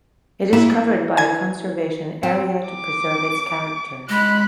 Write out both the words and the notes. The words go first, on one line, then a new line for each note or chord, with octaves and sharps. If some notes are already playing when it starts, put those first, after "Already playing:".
It is covered by a conservation area to preserve its character.
E3 A#3 E4
G#5 G#6
C4
D6
G#3 B5 F#6